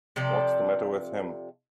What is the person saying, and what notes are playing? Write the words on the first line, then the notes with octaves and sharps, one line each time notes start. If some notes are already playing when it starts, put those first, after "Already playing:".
What's the matter with him.
C3 F3 A4 D5